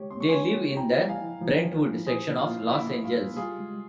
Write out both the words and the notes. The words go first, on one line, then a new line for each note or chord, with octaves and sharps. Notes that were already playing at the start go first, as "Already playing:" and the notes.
They live in the Brentwood section of Los Angeles.
Already playing: G#3 G4 C#5
C4 C6
C#6
C#5 G#5 C6
G4
E4 G5 A#5
F3
F5 G#5
E4
F3
F3
E4
A#2 G#4 C5
A#3
F4
A#3
A#3 E4
A#3
F4
G3
F4 G4 G#4
G#3